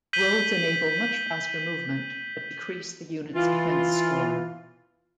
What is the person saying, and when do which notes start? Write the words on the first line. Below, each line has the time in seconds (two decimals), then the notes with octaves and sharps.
Roads enable much faster movement, but decrease the unit's defense score.
0.13 G6 B6 D#7 F#7 G7
3.35 E3 F4